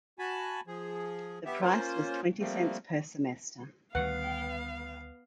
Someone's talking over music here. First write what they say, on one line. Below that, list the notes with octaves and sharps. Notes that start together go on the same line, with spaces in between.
The price was twenty cents per semester.
F#4 G#5 A5 B5
F3 G#4
B3 G4 E5
A#3 C#4 F4 C5
F3 G3 A3 A#3 C4
D2 D#3 G3 B3 B4 F5 F#5